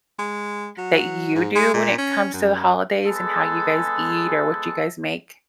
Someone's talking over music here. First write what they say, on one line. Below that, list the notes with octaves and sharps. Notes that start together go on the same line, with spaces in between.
that you do when it comes to the holidays and how you guys eat or what you guys make?
G#3
F#3
G#2
G#3
A#2
C#4
F#2
G#3 B3 G#4 A4